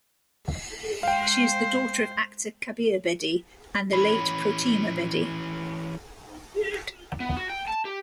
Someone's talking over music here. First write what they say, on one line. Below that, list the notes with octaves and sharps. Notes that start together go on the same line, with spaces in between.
She is the daughter of actor Kabir Bedi and the late Protima Bedi.
G#3 C5 F5 G5
E3 C#4 B5
B3
F#4
G5
A5
G4